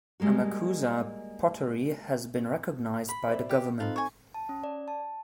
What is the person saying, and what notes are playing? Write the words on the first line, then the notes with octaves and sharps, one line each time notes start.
Amakusa pottery has been recognised by the government.
G3 G#3 A#3 F#4
B5
C5 D5 E5
G4
C4 D#4 F4 A4 B4
G#5 C#6
A5
C#4
D5
A5